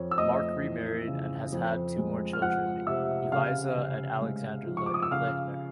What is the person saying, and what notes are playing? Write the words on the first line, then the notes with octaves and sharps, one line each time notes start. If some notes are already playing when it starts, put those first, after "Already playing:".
Mark remarried and has had two more children, Eliza and Alexander Lehner.
Already playing: F2 C#5
E6
A3 D#5 D#6
E3
C#3
F2
G#3
F6
F3 F#5 F#6
C3 E5 E6
C#3 F5 F6
C#3
G#3
F3
C#6
D6
D#6
E6
C#3 F5 F6